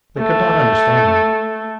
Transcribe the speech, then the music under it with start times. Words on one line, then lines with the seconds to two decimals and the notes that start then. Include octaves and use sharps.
They could not understand him.
0.19 A3